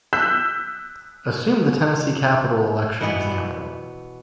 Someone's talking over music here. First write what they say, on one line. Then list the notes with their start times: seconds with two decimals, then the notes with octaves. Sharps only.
Assume the Tennessee capital election example.
0.13 E6 F#6 G6 B6 E7
3.01 B2 E3 B3